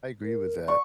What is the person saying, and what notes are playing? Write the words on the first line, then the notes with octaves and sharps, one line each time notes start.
I agree with that.
A#4
D5 C#6